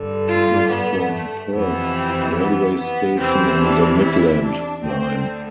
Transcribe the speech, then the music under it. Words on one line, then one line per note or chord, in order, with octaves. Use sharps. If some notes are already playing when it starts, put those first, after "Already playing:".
It is from Perth railway station on the Midland Line.
Already playing: G2 D3
F4
B3
A3
F2 C3 E3 B3
C4
B3
B3
E2 C3 E3 C4
D4
E4
D4
D2 D3 C4